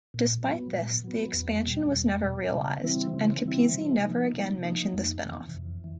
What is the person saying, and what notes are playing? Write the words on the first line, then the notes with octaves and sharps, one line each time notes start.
Despite this, the expansion was never realized, and Capizzi never again mentioned the spin-off.
A#2
F#3 B3
A#2
F#3 B3
E2
B2 G3
E2
B2 G3
C#3
E3 G3 C4 E4
C#3
E3 G3 C4 E4
C3
F3 A#3 D#4
C3
F3 A#3 D#4
F2
C3 E3
F2
E3